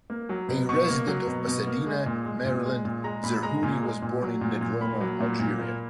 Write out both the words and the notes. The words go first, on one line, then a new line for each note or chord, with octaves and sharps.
A resident of Pasadena, Maryland, Zerhouni was born in Nedroma, Algeria.
A#3
F#3
B2
B2 C#6
A#3
F#3
B2
B2
A#3
G#3
A#2
G#3
A#2
G#3
A#2
G#3 A#5
A#2 B5
G#3 A#5
A#2 G#5
G#3
A#2
F#3
A#2
A#2
A#3 B5
F#3
A#2
A#2
A#3